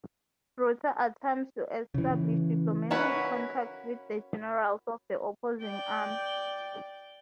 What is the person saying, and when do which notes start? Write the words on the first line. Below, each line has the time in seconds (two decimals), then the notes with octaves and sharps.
Brutha attempts to establish diplomatic contact with the generals of the opposing army.
1.94 C#3 E3
2.90 A#3 C#4 E4 F#4 B4
5.63 D5 G5